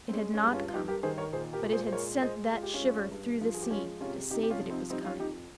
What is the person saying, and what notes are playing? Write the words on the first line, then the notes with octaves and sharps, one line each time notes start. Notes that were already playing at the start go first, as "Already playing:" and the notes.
It had not come, but it had sent that shiver through the sea to say that it was coming.
C4
G#3 C#4
C#4
G2
C#4 F4
F4
G2 D#4 G4
G4 A#4
D#3 G#4 C5
A#4 C#5
A#2 G#4 C5
G4 A#4
A#2
G#4 C5
C5
G#3 A#4 C#5
G#3 C5 D#5
G#3 F4
G4
C#4 F4
G2
G2
F3
G#4
G4
G#3 C#4 F4
C3 C#4 F4
C3 D#4 G4
G4
C#4 F4
F3
C4 D#4
G3 C4 D#4
D#4
C#4 F4
F2 D#4 G4